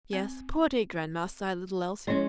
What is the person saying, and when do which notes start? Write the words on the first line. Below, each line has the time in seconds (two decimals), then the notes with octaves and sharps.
"Yes, poor dear grandma!" sighed little Elsie.
0.13 C4
2.07 F3 G#3 C#4 E4 C#5